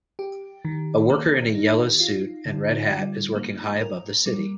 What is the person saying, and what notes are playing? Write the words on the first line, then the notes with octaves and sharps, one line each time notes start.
A worker in a yellow suit and red hat is working high above the city.
G4
D#3
A#3
D#4
F4
D3
G3
A#3
A#4
G3